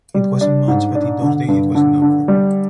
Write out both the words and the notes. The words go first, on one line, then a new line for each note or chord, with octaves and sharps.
It wasn't much but in those days it was enough for me.
G3
D4
G#2
D4
D3
G2
D3
D3
G3